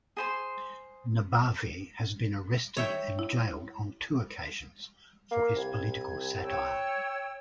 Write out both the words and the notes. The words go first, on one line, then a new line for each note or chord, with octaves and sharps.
Nabavi has been arrested and jailed on two occasions for his political satire.
G#4 C5 C6
C#5 E5 G5
E4
A#3
C2 G#6
C#5 G5 E6